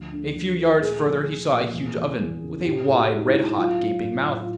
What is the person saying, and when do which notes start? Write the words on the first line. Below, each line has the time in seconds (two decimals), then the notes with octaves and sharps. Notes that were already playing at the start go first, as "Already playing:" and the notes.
A few yards further he saw a huge oven, with a wide, red-hot gaping mouth.
Already playing: D2 F3
0.12 D3
0.35 F3
0.58 A3
0.81 A#2 G#4
1.05 F3
1.27 F3
1.50 A#2
1.73 E2
1.96 E2
2.20 E2
2.42 C#3
2.65 A2 G4
2.88 A2
2.95 F#4
3.10 G#3
3.18 D#4
3.27 E4
3.34 A2
3.57 F#3 F4
3.79 F#3
4.03 A2
4.26 A2
4.40 F4